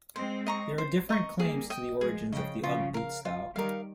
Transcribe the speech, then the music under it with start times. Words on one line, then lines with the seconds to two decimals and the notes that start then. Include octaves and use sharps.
There are different claims to the origins of the ugg boot style.
0.16 G#3 C4 C5
0.47 D#5 A#5 C#6
0.78 C5
1.09 D#5 A#5 C#6
1.39 G3 A#3 G#4
1.70 D#5 G5
2.01 F3 G#3 G#4
2.32 C#3 F3 D#5
2.37 G5
2.63 C#3 F3 F4
2.94 A#4 F5
3.25 F4
3.55 D#3 G3 A#4 F5